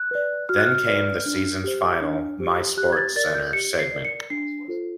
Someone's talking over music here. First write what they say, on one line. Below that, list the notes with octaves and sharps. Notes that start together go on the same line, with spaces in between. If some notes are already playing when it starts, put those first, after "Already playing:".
Then came the season's final "My "SportsCenter"" segment.
Already playing: F#6
B4 D5
F#4 F6
F#6
F6
B4 D5
D4
G4 C5
D4
G4 C5
G4 F#6
G#6
A6
A#4 D5 A6
G6
G4 C#7
C7
A#4 D5
C#7
D4 C7
F4 A4 C5